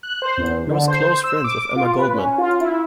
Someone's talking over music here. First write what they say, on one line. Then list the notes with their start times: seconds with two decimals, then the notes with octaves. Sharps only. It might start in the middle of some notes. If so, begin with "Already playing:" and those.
He was close friends with Emma Goldman.
0.03 F#6
0.22 C5
0.38 E2
0.67 D3
0.88 C5
1.24 E6
1.44 D6
1.76 F4
1.98 B4
2.14 C#4
2.38 F4
2.61 E4